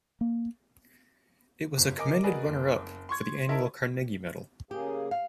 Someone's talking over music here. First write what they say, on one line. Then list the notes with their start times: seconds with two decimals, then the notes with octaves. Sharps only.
It was a commended runner-up for the annual Carnegie Medal.
0.21 A#3
1.78 G1
1.98 A#4 D#5 G#5 D6
2.24 F#4 G#4 A#4 B4 D5 D#5
2.46 F#1
3.09 C6 C#6 G#6
3.49 D#4 E4 A#4 E5 A5
4.71 C#3 A#3 G4 G#4
5.11 F5